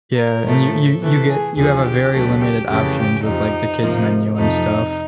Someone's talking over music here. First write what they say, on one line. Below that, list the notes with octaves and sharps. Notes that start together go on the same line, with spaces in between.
yeah, and you you you get you have a very limited options with like the kids' menu and stuff.
A#4
A2 F3 A3
A4
C3 E3 A3
G#4
D#2 D3 F3 G#4
G4
D2 C#3 F#3 A3
G4
F2 C#3 E3 A3 G4
G4
F2 C3 F3 D#4
C3 F3 A#3
F2 C3 F3 A3 D#4